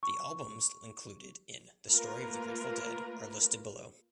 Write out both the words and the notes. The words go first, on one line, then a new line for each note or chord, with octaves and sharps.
The albums included in "The Story of the Grateful Dead" are listed below.
C#6
A3 A#3 F4 A#4 B4